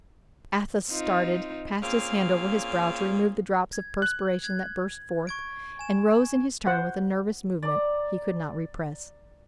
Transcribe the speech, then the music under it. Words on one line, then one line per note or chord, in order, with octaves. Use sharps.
Athos started, passed his hand over his brow to remove the drops of perspiration that burst forth, and rose in his turn with a nervous movement he could not repress.
C4 D#4 F4
A#2 C4 C#4 G#4 F5
G#6
F#6
G#6
C#6 G#6 D7
G#5 E7
C5 F#5
D5 A#5